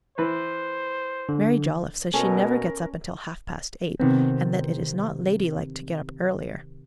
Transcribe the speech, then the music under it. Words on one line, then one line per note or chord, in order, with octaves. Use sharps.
Mary Jolliffe says she never gets up until half-past eight, and that it is not lady-like to get up earlier.
E3 B4 C5
D3
B2 C#4 A4 A#4
C3 D#3 B3 C4